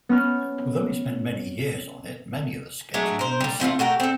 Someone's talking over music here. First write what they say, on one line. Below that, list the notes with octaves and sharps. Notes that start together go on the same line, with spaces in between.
Although he spent many years on it, many of the sketches are missing.
B3 C#4 F6
F#3 G#3 A3 D4
A#4 C5
A#2 G3
A3 C4 E4 F4
A3 F#4 G4 A#4
C4 A4